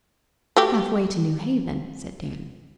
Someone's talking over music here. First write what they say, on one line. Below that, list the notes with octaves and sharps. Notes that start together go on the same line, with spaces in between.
'Half-way to Newhaven,'said Dan.
A3 F#4 G4